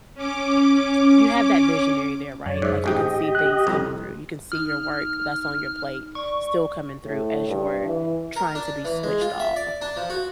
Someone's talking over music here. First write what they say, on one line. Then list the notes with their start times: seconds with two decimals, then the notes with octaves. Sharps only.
T You have that visionary there, right, like you can see things coming through, you can see your work that's on your plate still coming through as you're trying to be switched off,
0.15 C#4 D6
2.46 F#2 C#5 D5
2.62 G#2 E5
2.84 A1 G#2 G4 D#5 G5
3.35 F#6
3.67 C2 F2
4.52 D#4 F6
6.15 D5 C#6
7.05 A2
7.49 G2
7.86 E3
8.36 A#4
8.55 D4
8.85 E3
9.03 G#3
9.21 F4
9.40 E5
9.56 D5
9.82 D4
9.97 F3
10.10 F#4